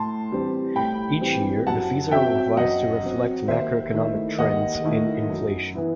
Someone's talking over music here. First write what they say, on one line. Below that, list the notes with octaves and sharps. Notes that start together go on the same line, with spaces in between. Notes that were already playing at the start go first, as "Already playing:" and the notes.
Each year, the fees are revised to reflect macroeconomic trends in inflation.
Already playing: A2 A5 C6
E3 G3 C4
A2 G5 B5
E3 G3 C4
F#2 F#5 A5
F#3 C4 E5 G5
F#2 D#5 F#5
F#3 C4
D#2 C5 E5
D#3 A3 E4
D#2 D#5 F#5
D#3 A3 E4
F#2
E3 B3 E4